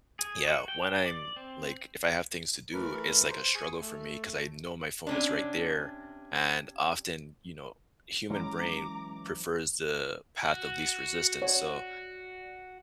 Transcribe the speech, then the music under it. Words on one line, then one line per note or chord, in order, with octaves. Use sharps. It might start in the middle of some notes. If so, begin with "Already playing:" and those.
Yeah, when I'm like, if I have things to do, it's like a struggle for me, 'cause I know my phone is right there, and often, you know, human brain prefers the path of least resistance, so,
G#4
F#4
G5
D5
C4
E3 A3 A#4 B4
C5
G#4 G#5 C#6
A3
C3 C#4 D4
E3 F#3 G#3 C#4 A#5 D6
F#4
C#5 D5 F#5